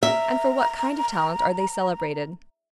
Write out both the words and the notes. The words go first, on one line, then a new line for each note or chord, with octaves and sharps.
And for what kind of talent are they celebrated?
E5 A#5